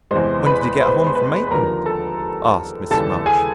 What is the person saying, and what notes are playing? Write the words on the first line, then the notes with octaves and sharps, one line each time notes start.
"When did you get home from Maitland?" asked Mrs. March.
E2 C3 E3 G#3 C5 C6
B4 B5
C5 C6
C6
B4 B5
B5
D#2 D3 F3 A#3 A#4 A#5
A4 A5
D#2 C#3 E3 G3 A4 A5
G#4 G#5